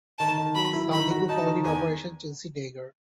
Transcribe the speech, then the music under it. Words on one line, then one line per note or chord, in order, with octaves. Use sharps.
Sadiku called it Operation Chelsea Dagger.
D#3 A5
D#3
F#3 B5
E4
D#3 B5
F#4
D#4 A5
D#3
E2 G#5